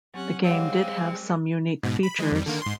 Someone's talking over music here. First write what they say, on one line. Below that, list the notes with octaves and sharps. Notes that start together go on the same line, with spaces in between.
The game did have some unique features.
F#3 C4 C#4 G4 F#5
G3 G#3 C4 C#5 D#5 F5 F#5
G#5
G#2 B2
B5
E3 G#3
F2 G3
D3 D#3 A#3
G#2 C6